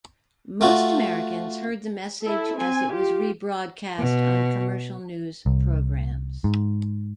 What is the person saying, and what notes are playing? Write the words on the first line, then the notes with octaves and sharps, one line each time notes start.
Most Americans heard the message as it was rebroadcast on commercial news programs.
A3 F4 F#4
E4 A4
C4 G#5
F4 G4
B2
C2
G#2